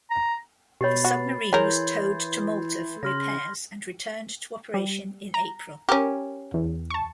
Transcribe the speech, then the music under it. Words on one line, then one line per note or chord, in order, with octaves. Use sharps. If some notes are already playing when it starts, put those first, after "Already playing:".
The submarine was towed to Malta for repairs and returned to operation in April.
A#5
B2 G4 C#5 B5 A6 C7
F#4
E3 G#4 A#4 C#5 C6 G6 G#6
C#3 C6 F6 A#6
G3
A#5
C#4 G4 A#4
E2
A5 C#6